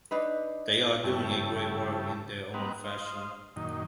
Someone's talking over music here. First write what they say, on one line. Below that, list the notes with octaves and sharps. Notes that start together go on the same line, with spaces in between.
They are doing a great work in their own fashion.
D4 D#4 B4
G2 C#3 E4 G4 A4
G3 A#3 C4 B4 D#5 F#5
C5 D#5 F5
F#2 A#2 D#3 D#4